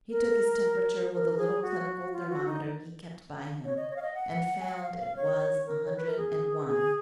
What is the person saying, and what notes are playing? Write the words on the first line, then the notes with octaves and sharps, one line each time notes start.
He took his temperature with a little clinical thermometer he kept by him and found it was a hundred and one.
A#4
A#4
A#4
G#4
F#4
F4
F#4
D#4
C#5
D#5
C#5
F5
D#5
F#5
G#5
F#5
F#5
F5
F5
C#5
A#4
C#5
B4
A#4
G#4
G#4